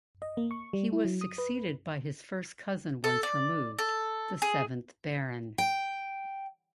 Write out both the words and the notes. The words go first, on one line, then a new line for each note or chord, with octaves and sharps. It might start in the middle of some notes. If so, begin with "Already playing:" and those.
He was succeeded by his first cousin once removed, the seventh Baron.
D#5
A#3
C#6
G3
E4
F#3
D#6
B4
A4
D5
A4
G#4
G5